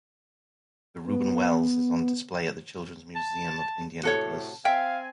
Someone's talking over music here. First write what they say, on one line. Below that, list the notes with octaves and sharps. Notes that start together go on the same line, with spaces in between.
The "Reuben Wells" is on display at the Children's Museum of Indianapolis.
B3
A5
A2 C3 F#4 A4 C#5
C4 E5 F5 G5 G#5